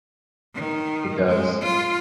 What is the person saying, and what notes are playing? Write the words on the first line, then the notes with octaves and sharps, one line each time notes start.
It does.
D#3
G#3
F4